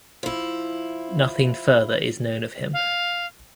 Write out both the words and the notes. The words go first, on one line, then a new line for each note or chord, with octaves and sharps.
Nothing further is known of him.
F3 E4
F5